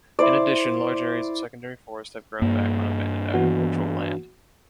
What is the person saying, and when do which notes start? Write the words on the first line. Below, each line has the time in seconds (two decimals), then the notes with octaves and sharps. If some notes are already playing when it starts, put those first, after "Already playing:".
In addition, large areas of secondary forest have grown back on abandoned agricultural land.
0.19 E4 C5 D5
2.42 G2 A#3
3.34 E3 B3 F#4